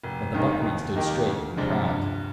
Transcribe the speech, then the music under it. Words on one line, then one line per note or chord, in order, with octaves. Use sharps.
But the buckwheat stood straight and proud.
F1
D#2 D#3 G#3 D#4
D#2
D#3 A#3 D#4 G4
D2
C3 F3 G#3 D4
G2